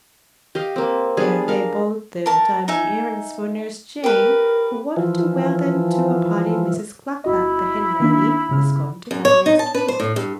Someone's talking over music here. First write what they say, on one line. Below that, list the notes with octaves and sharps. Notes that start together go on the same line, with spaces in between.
There they bought the diamond earrings for Nurse Jane, who wanted to wear them to a party Mrs. Cluck-Cluck, the hen lady, was going to have next week.
G4 D#5 F5
A#3 C4
G3 B3 D4 G#4
A#4 F5
A#4 A5
D#4 E5 G#5
G4 A#4 B4
E3 F3
G1 E4 F#4 D#5
D#3 A#3 D4
G1 C#3 F6
F#2
C#5
D#4
A5
B4
C5
A2
G2